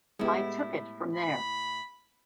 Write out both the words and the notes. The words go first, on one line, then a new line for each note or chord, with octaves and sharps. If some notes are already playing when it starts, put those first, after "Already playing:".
I took it from there.
A2 G#3 B3 E4 G4
B5